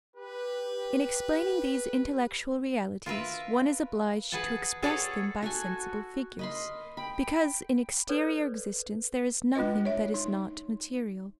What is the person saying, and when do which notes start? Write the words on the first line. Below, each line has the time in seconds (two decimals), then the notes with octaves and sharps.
In explaining these intellectual realities, one is obliged to express them by sensible figures because in exterior existence there is nothing that is not material.
0.17 G4 B4
3.06 F4 A#4 B4 E5
4.32 G#4 B4 F#5 G#5 A5
4.83 G#4 A4 B4 C#5 D5 F#5
5.43 F#4 A4 F#5 G#5
6.39 A#4 D#5 B5 C6
6.97 G5 B5
8.09 A4 B4 C#5 D5
9.56 G#3 D4 F4 B4 D#5
9.85 C#5 E5
10.14 D#4